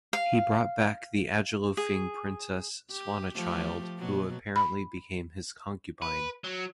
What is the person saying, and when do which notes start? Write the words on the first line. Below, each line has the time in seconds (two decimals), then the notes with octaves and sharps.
He brought back the Agilolfing princess Swanachild, who apparently became his concubine.
0.13 F5
1.77 G#4
2.91 G4
3.35 F3 A3 G4
3.97 B2 F#3 A#3
4.56 B5
6.02 B4
6.44 F#3